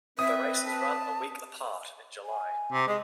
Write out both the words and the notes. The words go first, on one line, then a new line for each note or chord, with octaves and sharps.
The races run a week apart, in July.
C4 B4 E5 D#6
A5
G#5
C3
G#3 D#5